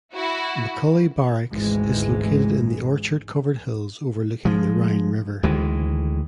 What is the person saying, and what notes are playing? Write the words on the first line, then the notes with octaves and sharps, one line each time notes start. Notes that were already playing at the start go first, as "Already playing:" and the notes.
McCully Barracks is located in the orchard-covered hills overlooking the Rhine River.
E4 F#4
G#1 D2 E3 G#3
F3 G#3
D2 D#3 E3 G#3